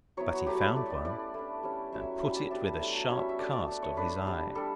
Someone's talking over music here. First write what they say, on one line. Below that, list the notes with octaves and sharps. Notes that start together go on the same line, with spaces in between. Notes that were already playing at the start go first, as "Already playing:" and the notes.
But he found one, and put it with a sharp cast of his eye.
F#3 B3 E4 C#5
F#4
F#3 A3 E4 G4
B4
A3 E4 D5
D5
A3 C#4 E4 D5
A3 D4
G3 C#4 E4
F#3 C#4 E4 E5
G3 C#4 E4 E5
D5
G3 B3 D4 E5
F#3 A3 E4
G3 C#4 E4 C#5
E5
E5
A3 D4 D5
D5
A3 D4
C#5
A3 D4 B4
G3 D4
G3 D4 A4